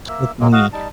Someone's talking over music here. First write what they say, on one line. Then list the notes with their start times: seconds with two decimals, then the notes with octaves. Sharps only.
took me
0.08 A#3 E5
0.40 F#3 G#3 A#3
0.52 F#4 D#5 F5 F#5
0.73 G3 D#4 A5